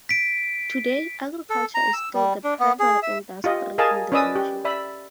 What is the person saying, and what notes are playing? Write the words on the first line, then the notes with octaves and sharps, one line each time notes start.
Today, agriculture is still the primary industry in the region.
B6 D7
A4
A#5
E6
G3
D4
B3
G#4
E5
F4 G4 D#5
G#4 A#4 D#5 F5 G#5 A5
C#4 B4 D5 D#5 D#6 E6
G4
D5 E5 B5